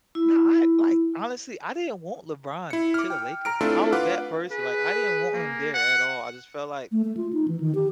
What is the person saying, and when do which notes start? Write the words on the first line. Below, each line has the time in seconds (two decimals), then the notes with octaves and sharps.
Nah, I, like, honestly, I didn't want LeBron to the Lakers. I was that person like I didn't want him there at all I just felt like
0.15 E4
2.70 E4 C#7
2.94 D6 F6
3.10 G5
3.45 A#5 F6 D7
3.61 A3 C4 D4 E4 F4 A4
3.93 F4 B4 F5 F#5 D6
4.52 G#4 B4
5.33 A#3
5.74 F#5
6.92 A3
7.05 A3
7.17 F4
7.33 D#4
7.48 E3
7.60 D#3
7.75 G4